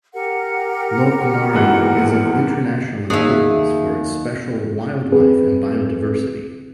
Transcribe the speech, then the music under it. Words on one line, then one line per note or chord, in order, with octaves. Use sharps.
Loch Maree is of international importance for its special wildlife and biodiversity.
G4 A#4 F#5
D#2 G#2 E3 B3 F#4
D#2 D#4 G#4 E5 E6
C4 G#4 B4